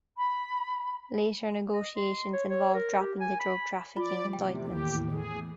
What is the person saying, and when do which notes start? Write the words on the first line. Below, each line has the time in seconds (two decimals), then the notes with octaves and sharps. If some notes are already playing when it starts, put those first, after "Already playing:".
Later negotiations involved dropping the drug-trafficking indictments.
0.16 B5
1.73 D#5
1.97 C6
2.33 C#5
2.50 C#5
2.74 A#4
3.00 G4
3.20 G#5
3.40 B5
3.97 F3 F4 D5 D6
4.33 E2 A2 C3 G5
4.66 D#2 G4
5.12 E3 G#4